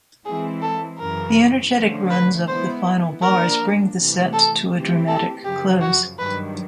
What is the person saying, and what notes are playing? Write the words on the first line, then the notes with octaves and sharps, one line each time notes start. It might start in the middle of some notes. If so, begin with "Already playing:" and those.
The energetic runs of the final bars bring the set to a dramatic close.
E3 G#3 C4 E4 G#4
A4
F#2 C#3 E3 A#4
D3 F3 A3 C#4
B4
G#3 B3 E4 C5
F3 A#3 D4 A#4
C3 E3 A3
A4
E3 A3 C4 E4 G4
A4
F#2 C#3 F3 G4
F#4
G2 D#3 F#3 B4